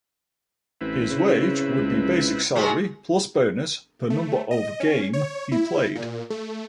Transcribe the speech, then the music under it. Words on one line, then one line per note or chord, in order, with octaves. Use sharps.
His wage would be basic salary plus bonus per number of game he played.
A1 C4 E4 B4
C#3
C#2
C3 G#3 F#4 F5 B5 C6
A3
D#5
C#4
C#5
E4
A#2
A3